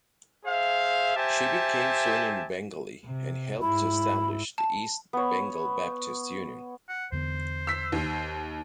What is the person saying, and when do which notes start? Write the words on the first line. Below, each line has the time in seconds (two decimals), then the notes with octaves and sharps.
She became fluent in Bengali and helped establish the East Bengal Baptist Union.
0.45 G#4 C5 E5 F5
1.16 G4 C5 E5 G#5 A5
3.05 C3
3.62 G#2 E4 B5
4.58 A5
5.13 B3 C#5
6.89 F#5
7.12 E2 D3 B3 C5
7.67 E6 B6
7.92 D#2